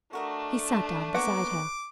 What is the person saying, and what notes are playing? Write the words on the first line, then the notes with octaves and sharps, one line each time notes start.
He sat down beside her.
A3 D4 F#4 A#4 D#5
A#3 B3 B4 C#5 F#5 D6